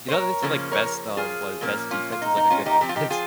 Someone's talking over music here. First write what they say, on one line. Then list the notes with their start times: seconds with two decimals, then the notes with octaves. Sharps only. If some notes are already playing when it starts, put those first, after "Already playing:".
you know, they said, like, best, um, wha best defense is like a good offense.
Already playing: A#2
0.08 C5
0.12 A#4 C#5
0.42 C#3 F3 A#3 C#4
0.71 A#4 C#5
1.17 F4 G#4
1.61 A#2 F3 A#3 C#4
1.91 C#4 F4
2.12 F4
2.22 D#4
2.37 D#4
2.50 C#4 F4
2.66 D#4 G4
2.81 F3 C4 G4
2.89 F4
2.96 D#4 G4
3.10 F4 G#4